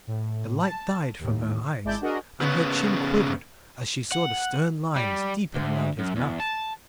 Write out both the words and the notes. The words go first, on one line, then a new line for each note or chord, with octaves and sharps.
The light died from her eyes and her chin quivered as she saw the stern lines deepen around his mouth.
A2
A5
D#2 A2
G#1 G#3 E4 D5 A5 G6
D4 F#4 G#4 A#4 D#5
C#3 B3
F#5
G3
D2
F#2
E2
A5